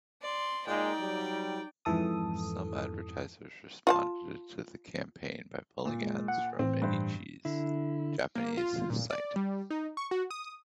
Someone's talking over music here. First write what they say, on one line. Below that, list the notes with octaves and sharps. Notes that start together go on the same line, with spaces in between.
Some advertisers responded to the campaign by pulling ads from "Mainichi"'s Japanese site.
D5 C6
A#2 G#3 D#4 D5 G5
F#3 G3
F2 G#2 E3 A4 D#6
F4 F#5 A5
A#2
G#3
F#5
A2 E3 C4
G2 C5
D3 E4
A#3
F4
A#2
D5
G3
D#4
C#6
F#4
D#6